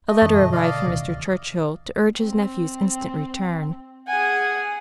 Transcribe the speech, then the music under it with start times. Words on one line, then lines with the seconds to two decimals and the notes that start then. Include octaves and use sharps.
A letter arrived from Mr. Churchill to urge his nephew's instant return.
0.08 A3 D#5
0.22 F#2 E3
0.41 B2 D3
0.52 D5 D#5 F5
0.86 C#2 B2 D#3
2.19 C4
4.08 G#4 F#5 G#5